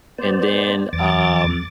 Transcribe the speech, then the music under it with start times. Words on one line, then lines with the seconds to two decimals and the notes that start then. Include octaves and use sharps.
and then, um,
0.18 B3 C5 D5
0.93 E2 D6 A6